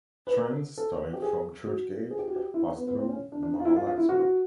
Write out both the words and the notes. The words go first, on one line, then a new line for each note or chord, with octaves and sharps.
Trains starting from Churchgate pass through Mahalaxmi.
B4
A#4
A4
G4
G#4
F#4
G#4
G4
F#4
G4
E4
D#4
B3
B3
C4
C#4
D4
D4
D#4
F4
E4
F4
F4
E4
F#4
F#4